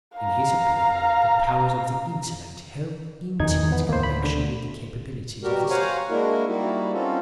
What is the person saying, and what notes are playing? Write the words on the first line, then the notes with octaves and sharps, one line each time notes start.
In his opinion the powers of the intellect held intimate connection with the capabilities of the stomach.
F5 A#5
E2 D#3 E3 D#4 G#6
E2 B3
D2 A#3 C5
B5
D3
B2 G3 F#4 G4 A#4
C5 C#5 F5 F#5 G#5 A#5
G#3 A#3 D4 E4 F#4 A#4
G3 A#3 D#4 E4 F#4
C4 C#4 D#4 F4 F#4 A4